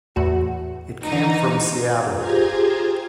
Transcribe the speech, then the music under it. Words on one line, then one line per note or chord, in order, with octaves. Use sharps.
It came from Seattle.
E2 A2 F#4
E3 D#4
F4 G4 G#4 C5 A#5 G#6